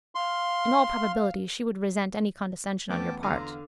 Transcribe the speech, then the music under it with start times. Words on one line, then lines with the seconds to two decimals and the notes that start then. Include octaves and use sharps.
In all probability she would resent any condescension on your part.
0.15 F5 C6
2.90 E2 A3 B3 C#4 F#5 G5 A5 D6
3.23 D3 F4 F5 A#5 D6 F6